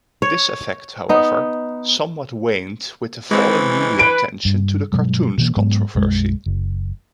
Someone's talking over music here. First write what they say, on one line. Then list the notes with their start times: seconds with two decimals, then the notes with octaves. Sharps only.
This effect, however, somewhat waned with the falling media attention to the cartoons controversy.
0.22 C#5
1.09 B3 D#4
3.31 E3 G#3 C4
3.99 B4 D7
4.45 G2
4.92 G2 B2 F#3 G#3
5.38 B2 E3 A#3
5.56 G#2 F#3 G#3 B3
5.95 B1 F#2 G#3
6.46 F#1